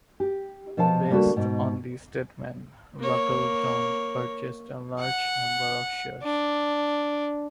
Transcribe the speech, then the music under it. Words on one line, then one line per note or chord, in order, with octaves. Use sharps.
Based on this statement, Buckleton purchased a large number of shares.
G4
B2 F3 C5 F5 A5
D3 G3 A#3 F#4 A4
G#2 B2
A#3 C#5
F#5
D4